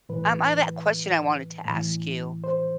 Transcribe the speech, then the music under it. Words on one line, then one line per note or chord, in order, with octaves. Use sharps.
Um, I have a question I wanted to ask you.
A2 E3 B4
A2 E3
C5